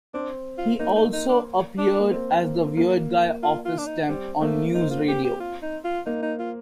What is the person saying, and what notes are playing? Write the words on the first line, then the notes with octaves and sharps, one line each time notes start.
He also appeared as the "weird guy" office temp on "NewsRadio".
C4 D4
F4
A#3 D#4
D#4
D#4
D4
D4
A#3
C4
A#3
A#3
A#3
F4
F4
D4
D#4
G3 C4
A3 A#3
C4 D#4
F4
G4
G4
F4
D#4
F4
A#3 D#4
D#4
F4